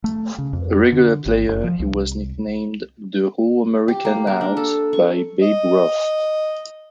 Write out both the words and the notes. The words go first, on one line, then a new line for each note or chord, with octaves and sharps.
A regular player, he was nicknamed "The All-American Out" by Babe Ruth.
A3
C#3
F2
D3
G#1
F#1
F3
C2
G4
A#3
A#4
D4
A4
C#6
D#5